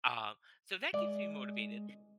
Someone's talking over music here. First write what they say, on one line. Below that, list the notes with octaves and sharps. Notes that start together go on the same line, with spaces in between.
Uh, so that keeps me motivated,
G#3 D5